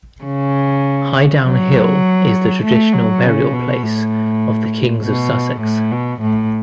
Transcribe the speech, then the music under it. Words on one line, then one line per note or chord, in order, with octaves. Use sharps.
Highdown Hill is the traditional burial-place of the kings of Sussex.
C#3
F#3
A3
F#3
C#3
B2
A2
B2
A2
B2
A2